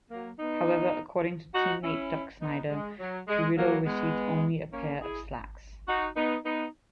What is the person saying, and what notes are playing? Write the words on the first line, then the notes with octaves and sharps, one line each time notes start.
However, according to teammate Duke Snider, Furillo received only a pair of slacks.
F#3 A#3
B3 D#4
D#4 F#4
C#4 E4
B3 D#4
G#3
F#3
G#3
F#3 A#3
G#3 B3
A#3 C#4
E4 G#4
D#4 F#4
B3 D#4
B3 D#4